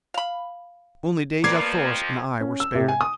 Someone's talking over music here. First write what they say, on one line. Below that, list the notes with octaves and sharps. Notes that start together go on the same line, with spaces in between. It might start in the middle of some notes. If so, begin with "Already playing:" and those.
Only Dejah Thoris and I were spared.
F5 B5
F2 F3 A#3 B4 D5 D6 G#6 C7
C#4
E6
C3
G#5
D#6